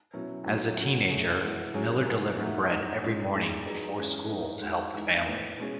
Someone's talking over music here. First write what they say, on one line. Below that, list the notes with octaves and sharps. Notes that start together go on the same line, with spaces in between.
As a teenager, Miller delivered bread every morning before school to help the family.
B2 F#3 C#4 E4
B2 F#3 A3 D#4
F#3 C#4 F#4
F#3 A3 C#4 G#4
E3 G#3 B3 E4
F#3 C#4 G#4
F#3 B3 E4 G#4
A2 E3 A3 D#4 F#4
G#3 D#4 F#4
G#3 C#4 G#4
A2 G#3 D#4 G#4
F#3 B3 D#4 G#4
E3 G#3 C#4 G#4
E3 B3 D#4
G#3 D#4 F#4
E3 G#3 D#4
A2 E3 B3
B2 G#3 C#4 G#4